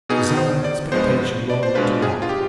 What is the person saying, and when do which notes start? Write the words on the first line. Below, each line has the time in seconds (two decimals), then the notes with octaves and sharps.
Desire and expectation rolled into one.
0.09 B2 B3 D#4 G#4
0.37 C5
0.64 D5
0.92 G2 F3 G#3 B3 C5
1.50 D5
1.63 C5
1.75 B2 G#3 D4 F4 B4
2.02 G#4
2.22 F4
2.29 G4